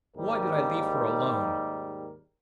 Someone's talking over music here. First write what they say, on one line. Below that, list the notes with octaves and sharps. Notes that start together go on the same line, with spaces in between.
Why did I leave her alone?
D#2 G#2 G3 D#4 A#4